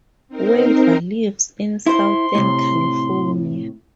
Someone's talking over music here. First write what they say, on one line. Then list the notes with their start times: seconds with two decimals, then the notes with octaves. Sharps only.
Weaver lives in Southern California.
0.28 C4 D#4 A#4 C5
1.86 E4 C5 C6
2.35 A2 C3